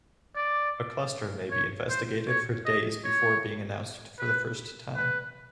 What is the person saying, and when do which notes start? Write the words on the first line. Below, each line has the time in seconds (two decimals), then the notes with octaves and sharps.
A cluster may be investigated for days before being announced for the first time.
0.36 D5
1.51 C#5
1.89 C5
2.28 C#5
2.65 D#5
3.04 C#5
4.19 B4
4.96 B4